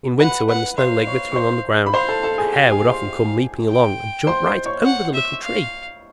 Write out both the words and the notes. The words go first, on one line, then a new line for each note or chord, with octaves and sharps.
In winter, when the snow lay glittering on the ground, a hare would often come leaping along, and jump right over the little Tree.
B4 F#5 B5
B4 F#5 B5
C5 F5 C6
C#5 C#6
C#6
C5 C6
B5
C5 F5 C6
A4 A5
A4 A5
G#4 G#5
G4 F5 G5
G#4 G#5
C5 C6
G5
C5 C6
C5 C6
C#5 C#6
F#5
E5
F5